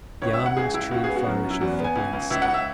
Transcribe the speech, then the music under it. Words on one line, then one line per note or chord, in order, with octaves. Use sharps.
The almond-tree flourisheth at least.'
C#2 C#5
E5
C#2
F#5
C#2 G#4
C#2 E4
C#2 F#4
B3 G#4
F#4
F#2
F#2
E4
E2 F#4
B3
G#5
C#2
C#2
C#2 E5
F#5
C#2
E5